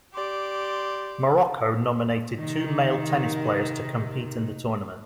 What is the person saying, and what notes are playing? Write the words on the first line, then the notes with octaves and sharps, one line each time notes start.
Morocco nominated two male tennis players to compete in the tournament.
G4 D5 C6
C3 D#3